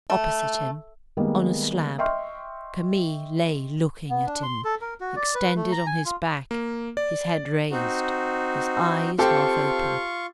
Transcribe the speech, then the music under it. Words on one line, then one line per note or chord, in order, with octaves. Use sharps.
Opposite him, on a slab, Camille lay looking at him, extended on his back, his head raised, his eyes half open.
A3
D#3 G3 G#3 A#3 B3
D#5 E5 G5 C6 C#6 F6
B3
D4
C6
A4
A#4
F#4
D5
B4
A3
A#5
G#5
F4
A#3
D5
C4 D#4 F#4
C4 F4 G4 A4 F5 C#6